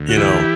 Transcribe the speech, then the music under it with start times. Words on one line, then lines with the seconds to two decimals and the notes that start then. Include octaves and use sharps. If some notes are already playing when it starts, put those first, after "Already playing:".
You know
Already playing: D2
0.09 F#4
0.17 E3 E4 G4